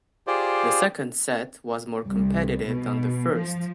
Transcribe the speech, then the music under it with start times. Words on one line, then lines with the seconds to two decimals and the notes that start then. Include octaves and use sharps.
The second set was more competitive than the first.
0.27 F4 G4 G#4 C5 D5
2.08 C2
2.68 B2
3.33 F3